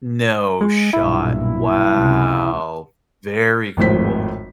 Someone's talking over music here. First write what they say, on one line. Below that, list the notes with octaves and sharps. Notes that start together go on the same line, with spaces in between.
No shot. Wow. Very cool.
G#3
B1 G2 A#2 E4
C#2 C3
G#1 F2 A2 C5 B6